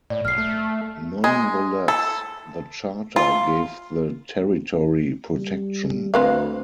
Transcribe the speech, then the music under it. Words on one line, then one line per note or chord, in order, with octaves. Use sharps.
Nonetheless, the charter gave the territory protection.
A2 D5
B1 F6 C7
A3
G#3
A4
F4
G3
D2 C4 B4 F5